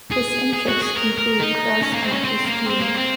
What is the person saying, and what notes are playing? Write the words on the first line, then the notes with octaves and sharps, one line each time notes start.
His interests include cross-country skiing.
G#4
G#4
F#4
G#4
A#4
A#4
D#4
C#4
A#3
C4
C#4
C4
A#3
C4
A#3
C4